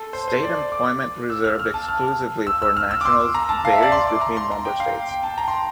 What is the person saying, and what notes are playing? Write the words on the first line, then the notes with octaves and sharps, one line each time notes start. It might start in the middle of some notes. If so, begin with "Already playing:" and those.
State employment reserved exclusively for nationals varies between member states.
Already playing: A4
C5
C5
D5
D6
E6
F6
F6
A5
F6
E6
E6
F6
E6
D6
C6
A#5
A5
F5
E5
D5
C6
D6
A#5
C6
A#5
G5
F5
G5
A5
A#5
C6